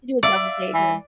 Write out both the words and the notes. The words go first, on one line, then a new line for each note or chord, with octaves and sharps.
Do a double taker.
D5 E5 F5 E6
E3